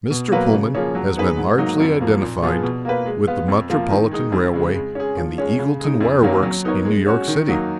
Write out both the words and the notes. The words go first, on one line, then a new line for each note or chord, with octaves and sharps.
Mr. Pullman has been largely identified with the Metropolitan Railway and the Eagleton Wire Works in New York city.
B2
F#3 A#3 F4 B4
C#3
F3 A#3 C#4 G#4
F#3
B3 D#4 G#4 B4
G#2
F#3 A#3 D#4
F2
F3 A#3
A#2
F3 B3 F4 G#4
B2
A#3 F4 B4
G#3
B3 F4
F2
F3 A#3 F4
D#3
G#3 D#4
F2
C#3 G#3
G#3
C#4 G#4
F3
G#3 C#4
C#3
G#3 D#4
F2
D#3 F#3 A#3 C#4
F#3
B3 D#4 A#4 C#5
G#3
C#4 F#4
D#3
F#3 A#3 D#4